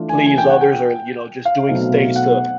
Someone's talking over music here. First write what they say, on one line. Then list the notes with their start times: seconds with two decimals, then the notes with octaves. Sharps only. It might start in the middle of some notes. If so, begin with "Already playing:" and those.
please others, or, you know, just doing s things to
Already playing: E3 A3 D4 F4
0.09 G#5
0.26 G#5
0.38 G5
0.50 F#5
0.61 G5
1.45 F5
1.69 B2 F#3 A3 C4 D#4
2.16 F#5